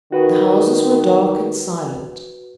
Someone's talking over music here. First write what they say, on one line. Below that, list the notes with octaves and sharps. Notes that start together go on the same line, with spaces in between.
The houses were dark and silent.
D#3 F#4 B4